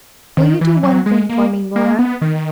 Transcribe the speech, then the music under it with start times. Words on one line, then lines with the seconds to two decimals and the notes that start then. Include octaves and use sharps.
'Will you do one thing for me, Laura?
0.37 D#3
0.61 E3
0.83 F#3
1.06 G#3
1.29 A#3
1.76 A#3
1.99 B3
2.21 D#3